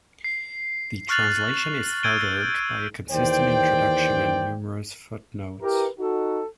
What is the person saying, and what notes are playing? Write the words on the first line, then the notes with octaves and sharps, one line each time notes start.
The translation is furthered by a consistent introduction and numerous footnotes.
C7
C#6 F6 F#6 A6 F7 F#7
E6 G6 G#6 D7 D#7 G7
D#2 E3 C5 D5 G5
E4 G4 A#4 B4
D#4 F#4 A4